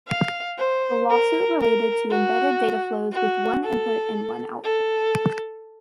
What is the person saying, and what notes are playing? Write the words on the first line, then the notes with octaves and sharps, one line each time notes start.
The lawsuit related to embedded data flows with one input and one output.
F5
C5
A#4
A#4
F#4
F#4
A4
A4